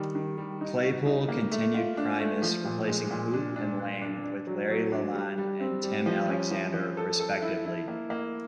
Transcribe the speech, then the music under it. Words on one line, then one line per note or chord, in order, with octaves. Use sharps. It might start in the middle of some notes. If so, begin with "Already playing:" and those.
Claypool continued Primus, replacing Huth and Lane with Larry LaLonde and Tim Alexander, respectively.
Already playing: D#3 G3
D#3
G3
D#4
F#4
D#4
A#3
A3
F4
D4
A3
F3
A#2
G#3
A#2
D4
D4
D4
D4
D4
F#3
F#3
D4
G3
G3
C4
G3
F3
C#4
F3
F3
A4
A4
E4
E4
A#3
A#3